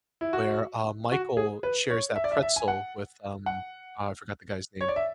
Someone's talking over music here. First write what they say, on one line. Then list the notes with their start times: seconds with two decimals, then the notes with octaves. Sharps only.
where, uh, Michael shares that pretzel with, um, oh, I forgot the guy's name,
0.21 E4
0.33 F#4
1.12 F#4
1.37 G#4
1.63 B4
1.90 C#5
2.16 E5
2.24 D5
2.32 E5
2.42 E5
2.56 G#5
2.68 F#5
3.46 F#5
4.81 C#5
4.88 D5
4.96 E5